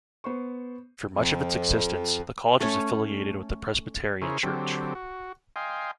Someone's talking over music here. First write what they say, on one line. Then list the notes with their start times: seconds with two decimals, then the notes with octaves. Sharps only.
For much of its existence, the college was affiliated with the Presbyterian Church.
0.24 B3 C5 C#6
1.13 F2
2.60 A3 C#4
4.22 C#3 E4 G#4 A#4 C5 C#5
4.43 D3 F#3 C4 G4
4.95 F#4
5.56 D#5 F5 G5 G#5 C6